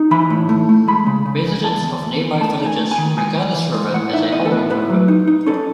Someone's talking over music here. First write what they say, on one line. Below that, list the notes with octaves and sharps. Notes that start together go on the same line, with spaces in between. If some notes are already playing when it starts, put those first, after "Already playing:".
Residents of nearby villages regard this river as a holy river.
Already playing: D#4
E3 B5
A2
A3
A3
G#3 B5
C#3
C#3
C#3
E2 A5
E2
E2
E2
A3 A5
D#4
G#5
A3
G#5
D#3
G#3 G#5
E3
E3
G#3
A2 F#5
D#4 E5
B3 D#5
A4
A2 B4
A2 B4
F#3
D#4
D#4
C#4 A4